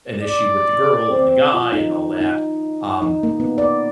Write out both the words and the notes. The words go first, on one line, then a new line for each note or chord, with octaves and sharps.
an issue with the girl, and the guy, and all that, um,
D5
C4
F4
D#4
D#4
D#4
A#3
B3
D5